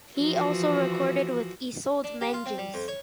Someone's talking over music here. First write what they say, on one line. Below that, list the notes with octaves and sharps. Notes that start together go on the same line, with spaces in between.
He also recorded with Isolde Menges.
E3 F3 F#4
D4
G4
F4
C4
G3
F2
C#5